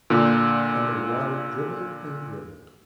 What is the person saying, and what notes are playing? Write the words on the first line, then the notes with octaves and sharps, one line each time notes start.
And the water dribbled and dribbled.
A#2 D3 A#3